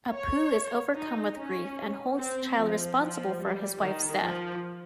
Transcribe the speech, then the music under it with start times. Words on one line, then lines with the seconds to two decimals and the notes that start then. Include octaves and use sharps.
Apu is overcome with grief and holds the child responsible for his wife's death.
0.13 C#5
0.95 D#4
1.36 C#4
2.18 C4
2.59 F3
3.00 F3
3.40 G3
3.81 D#3
4.22 F3